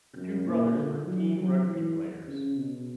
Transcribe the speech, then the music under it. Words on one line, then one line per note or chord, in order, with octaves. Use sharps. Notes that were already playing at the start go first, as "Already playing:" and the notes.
Her two brothers were keen rugby players.
F#2
A#2
D3
F#3
F#3
E3
C#3
B2